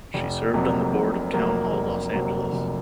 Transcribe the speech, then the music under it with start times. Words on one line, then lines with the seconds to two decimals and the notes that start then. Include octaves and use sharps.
She served on the board of Town Hall Los Angeles.
0.14 F1
0.54 F2 C3 F#3 A#3
0.93 F1
1.34 F2 C3 F#3 A#3
1.72 F1
2.12 F2 C3 F#3 A#3
2.52 F1